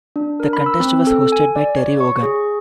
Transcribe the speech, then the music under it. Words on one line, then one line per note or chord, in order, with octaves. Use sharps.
The contest was hosted by Terry Wogan.
D4
A#4
B5
E6
C4
A4
G#5
D5
C#5
C#6
G#4